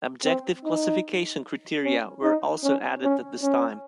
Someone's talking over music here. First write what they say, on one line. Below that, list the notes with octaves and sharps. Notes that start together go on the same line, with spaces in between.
Objective classification criteria were also added at this time.
C4
D#4
C#4
D#4
C#4
C#4
C#4